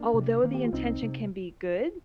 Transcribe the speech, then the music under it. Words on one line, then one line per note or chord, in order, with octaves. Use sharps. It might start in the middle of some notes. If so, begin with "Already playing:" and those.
although the intention can be good,
Already playing: A#3 D4
C3
D#3 A#3
G4
F4
C2 C4 D#4
C3